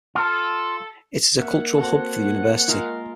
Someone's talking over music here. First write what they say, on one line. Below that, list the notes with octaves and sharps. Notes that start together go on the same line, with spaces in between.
It is a cultural hub for the university.
F4 A4
A#3 C#5 D5 E5 F#5
C4 F#4 A4
G#3 F4 A#4 F5